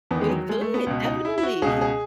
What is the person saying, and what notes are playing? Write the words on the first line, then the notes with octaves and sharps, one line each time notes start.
It could, definitely,
E2 D#3 B3
G#3
F#3
G#3
A3
B3
C#2 B2
D#4
E4
E4
F#4
C#2 B2 G#4
G#4